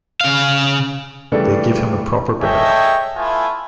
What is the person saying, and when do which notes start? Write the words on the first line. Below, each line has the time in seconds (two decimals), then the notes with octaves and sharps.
They give him a proper burial.
0.21 C#3 F5
1.32 C#3 E3 G3 A3 D4 A4
2.41 G#4 A4 C#5 D#5 E5 G5
3.16 A3 B3 E4 F4 G#5